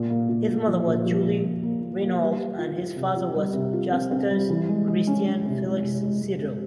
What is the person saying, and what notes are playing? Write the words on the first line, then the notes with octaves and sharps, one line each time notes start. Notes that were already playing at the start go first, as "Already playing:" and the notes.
His mother was Julie Reinhold and his father was Justus Christian Felix Seidel.
Already playing: A#2
A#3
A#2
A#2
F3
A#2
F3
A#2
A#2
A#3
A#3
A#3
G3
G3
F4
F4
C3
F4
G3
C3
F4
C4
C4
G3
E3
G#3
G#3
C#4
C#4
C3
G#3
C3
G#3
G#3
C3